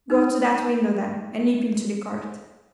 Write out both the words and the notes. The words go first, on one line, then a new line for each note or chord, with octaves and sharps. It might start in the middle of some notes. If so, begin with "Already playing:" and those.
Go to that window, then, and leap into the court.'
D#4 B4